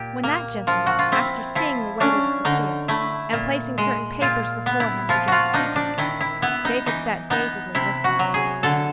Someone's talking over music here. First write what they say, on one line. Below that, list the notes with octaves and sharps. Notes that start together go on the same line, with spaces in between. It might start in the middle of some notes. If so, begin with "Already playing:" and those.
When that gentleman, after seeing the waiter disappear, and placing certain papers before him, began speaking, David sat dazedly listening.
Already playing: A#2 G4
A#3
F3 F4
F#4
F4
C4 E4
F3 E4
C#4 D4
D3 D#4
A3 E4
A#2
G#3
A#2 F4
B3
E4
F3 F4
F4 F#4
D4 D#4
D4
D#3 E4
E4
B3 E4
D#4
E3 D#4
B3 D#4
C3 E4
F#4
F#3
G#4
D3 A4